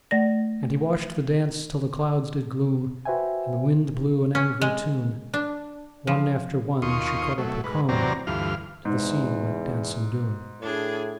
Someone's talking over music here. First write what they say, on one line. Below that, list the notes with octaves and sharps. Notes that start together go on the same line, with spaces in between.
And he watched the dance till the clouds did gloom, And the wind blew an angry tune: One after one she caught up her comb, To the sea went dancin' doon.
A3 D5 A#6
F#4 B4 C5 E5 G5 G#5
C#4
G#3
D4
F3
D#2 F4 C6 C#6 D#6
F#3 A3
G#2 B4
E2 C3 F#3 C4 D5 A#5
D2 G2 E3 F4 F6
E2 G#2
A2 D4 G#4